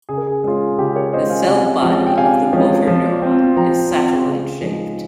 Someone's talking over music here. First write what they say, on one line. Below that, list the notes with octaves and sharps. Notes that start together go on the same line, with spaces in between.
The cell body of the motor neuron is satellite-shaped.
C#3 G#4
A#4
G#4
G#3 C#4 F4 G#4
C#3 G4
A#4 C#5
G#3 C#4 F4 C5 D#5
F5 G#5
C3 F5 G#5
F3 G#3 C#4
G5
C3 F5 G#5
F3 G#3 C#4
F3
C4 F4
F3 G5 A#5
C4 F4
C#3
F3 G#3 D#4